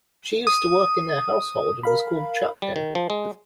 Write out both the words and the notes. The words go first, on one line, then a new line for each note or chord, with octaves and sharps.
She used to work in their household and was called Chapko.
D#6
A#4 F5 B5
G3
D#3
F3
G#3